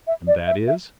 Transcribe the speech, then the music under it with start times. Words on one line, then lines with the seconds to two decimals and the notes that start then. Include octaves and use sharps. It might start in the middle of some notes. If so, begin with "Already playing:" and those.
"And that is--?"
0.07 E5
0.27 D5
0.47 E5
0.68 E5